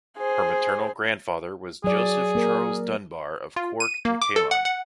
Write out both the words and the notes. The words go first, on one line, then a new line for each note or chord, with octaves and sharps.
Her maternal grandfather was Joseph Charles Dunbar of Cork and Ceylon.
G#4 C5
F#3 G#4 D5
A#3 A#4
F4
D#7
A#3
D6
A4
F#5
F#5